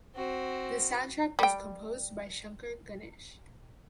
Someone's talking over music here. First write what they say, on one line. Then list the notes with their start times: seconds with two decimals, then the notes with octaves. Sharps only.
The soundtrack was composed by Shankar–Ganesh.
0.15 C4 F#4
1.39 G3 G5